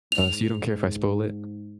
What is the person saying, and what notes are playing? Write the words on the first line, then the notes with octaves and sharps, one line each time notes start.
Uh, so you don't care if I spoil it?
G#2 F7